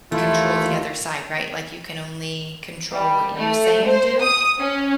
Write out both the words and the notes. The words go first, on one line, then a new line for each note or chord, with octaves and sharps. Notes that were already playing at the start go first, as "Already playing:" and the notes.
control the other side, right? Like, you can only control what you say and do.
D#2 E3 A3 E4 F4
G3
A3
C5
D#6
C#4